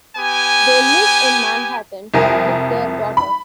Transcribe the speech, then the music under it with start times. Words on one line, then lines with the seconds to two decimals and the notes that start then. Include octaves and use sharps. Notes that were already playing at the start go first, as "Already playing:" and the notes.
They live in Manhattan with their daughter.
0.16 B3 G4 G#5
2.14 C2 F2 A#4 G#5
3.17 B5